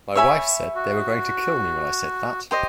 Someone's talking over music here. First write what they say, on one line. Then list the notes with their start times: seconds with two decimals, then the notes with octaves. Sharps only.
My wife said they were going to kill me when I said that.
0.15 C#5 E5 G#5 B5
0.75 F#4
2.51 G4 C5 D#5